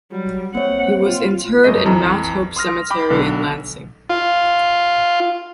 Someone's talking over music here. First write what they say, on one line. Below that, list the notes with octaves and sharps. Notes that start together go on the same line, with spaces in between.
He was interred in Mount Hope Cemetery in Lansing.
F#3 G3
A#3 C4 C#5 F#5
F4
G1 F#2 A3 D#5
F2 E3 D#5 A#5
C6 D#6 F6 A#6
G5 B5 D6
B1 D3
F4